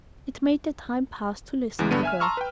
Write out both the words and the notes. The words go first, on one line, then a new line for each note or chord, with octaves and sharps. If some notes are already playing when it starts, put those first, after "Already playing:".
It made the time pass to listen to her.
E2 C#3 E3 G#3
G1 G2 D3 B3 D#7
E5 G#5 F6
A5 A#5 C6 C#6 E6 F6
B4 G5